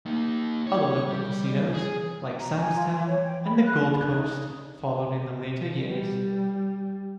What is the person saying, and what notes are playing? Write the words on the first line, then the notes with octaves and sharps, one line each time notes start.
Other locals casinos like Sam's Town and the Gold Coast followed in later years.
A#3 D#4
C#5
G3
G#4
A#5
G#5
F4
C#5
G5
B5
F#6
D4
D#4
G3